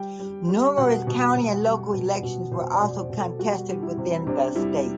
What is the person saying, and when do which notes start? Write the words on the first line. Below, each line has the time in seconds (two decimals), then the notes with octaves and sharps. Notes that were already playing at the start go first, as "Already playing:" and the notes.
Numerous county and local elections were also contested within the state.
Already playing: G3 G5
0.19 G3
0.49 G3
0.77 B2 F#5
1.07 B2
1.36 B2
1.65 G3
1.94 B2
2.23 B2
2.52 B2 C5
2.74 D5
2.81 B2
2.96 C5
3.10 B2
3.17 A4
3.39 G3 F#4
3.69 G3
3.83 E4
3.98 C3
4.27 C3 D4
4.55 G3 E4